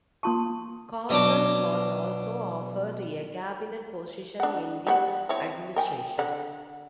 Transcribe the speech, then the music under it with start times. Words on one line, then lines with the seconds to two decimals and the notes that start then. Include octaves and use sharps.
Carson was also offered a cabinet position in the administration.
0.23 A#3 F4 A5 C6 C#6 D#6
1.09 B2 F#3 D4 A#5 D6
4.40 D4 F#5
4.87 G3 C#5 F#5
5.29 C4 E4 C#5
5.76 A#4 G5 G#5
6.19 D3 F#5